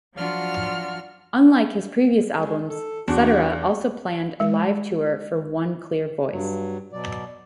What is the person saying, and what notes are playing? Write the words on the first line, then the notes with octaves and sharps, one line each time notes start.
Unlike his previous albums, Cetera also planned a live tour for "One Clear Voice".
F3 F#3 D4 F4 F#4 F6
G#3
A4
E2 D4 F#4
G#3
G2 F#3
B2 F#3 D5